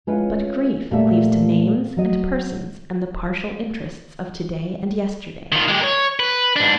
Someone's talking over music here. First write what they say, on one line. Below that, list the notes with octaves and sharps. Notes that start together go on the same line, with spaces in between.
But grief cleaves to names, and persons, and the partial interests of to-day and yesterday.
G#3 C#4 E4 F4 B4
A#2 G3 A3 E5
F#3 D#5
D#3 F4
G#3 G4
A#4 C#5
B4
G#2 D4